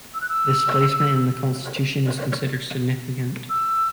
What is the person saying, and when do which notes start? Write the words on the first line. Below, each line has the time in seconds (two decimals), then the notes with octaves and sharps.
This placement in the Constitution is considered significant.
0.14 E6
0.21 F#6
0.29 E6
3.50 E6